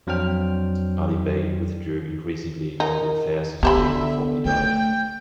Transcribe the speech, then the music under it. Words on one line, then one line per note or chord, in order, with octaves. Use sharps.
Ali Bey withdrew increasingly from the affairs of state before he died.
F2 F#3 D4 C5 G5 F6
D#4 A#4
D3 B3 G4 C5 E5 B5
A3 G5